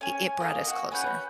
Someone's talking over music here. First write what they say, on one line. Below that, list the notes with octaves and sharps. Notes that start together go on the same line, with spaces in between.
it it brought us closer.
C#4 G#5
A#3 D#5 F5
F#4
C#4 B4 F#5 G6